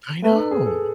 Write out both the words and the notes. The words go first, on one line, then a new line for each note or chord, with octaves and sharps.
I know.
A3 B4
A4
G#4
A4